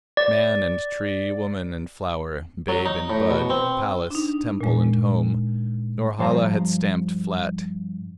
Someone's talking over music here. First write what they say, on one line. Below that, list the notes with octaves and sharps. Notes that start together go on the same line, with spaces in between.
Man and tree, woman and flower, babe and bud, palace, temple and home--Norhala had stamped flat.
D5
F#3
D#4
A2
B2
C4
D4 D#4
A#2 G#3
G2 F3 C5 F5 A5 A#5